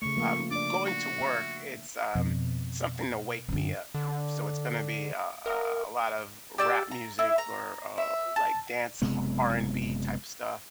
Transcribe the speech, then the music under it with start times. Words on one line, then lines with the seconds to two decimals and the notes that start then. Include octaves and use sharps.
Um, going to work, it's, um, something to wake me up, so it's gonna be a a a lot of rap music or, uh, like, dance ha R and B type stuff.
0.02 C#3 A3 C#6
0.16 F3 A3 A#3
0.51 D4 D5 D6
0.85 F#4
1.18 E5
2.15 F2 B2
3.49 F#2 D3
3.95 D3
5.46 A#4
6.58 G4 D5 E6
6.91 A#5
7.19 E4
7.38 A#5
7.98 E5
8.36 A5
9.02 F#1 C3 G#3 B3